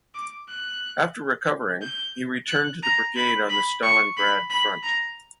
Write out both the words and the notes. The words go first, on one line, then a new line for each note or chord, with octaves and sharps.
After recovering he returned to the brigade on the Stalingrad front.
D6
F#6
G6
F#6
A#5
B5
B5
C#6
B5
B5
A#5